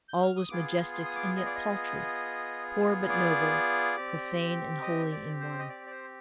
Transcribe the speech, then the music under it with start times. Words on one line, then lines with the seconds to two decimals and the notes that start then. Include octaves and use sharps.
All was majestic and yet paltry; poor but noble; profane and holy in one.
0.09 G6
0.23 F6
0.37 D#6
0.49 B3 F4 G#4 D6
0.72 C6
0.94 C6
1.05 D#6
1.15 D6
1.37 D#5
1.46 D5
1.55 D#5
3.09 D5
3.97 C4 G4
4.82 D#5
5.12 D5
5.40 C5
5.59 D#5
5.69 D5
5.86 D5
5.91 C5